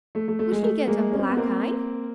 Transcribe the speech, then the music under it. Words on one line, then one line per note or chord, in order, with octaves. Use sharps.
Would he get a black eye?
A3
A3
A3
G#3
A3
G#3 A#3
C#4
C4
B3
A#3 C4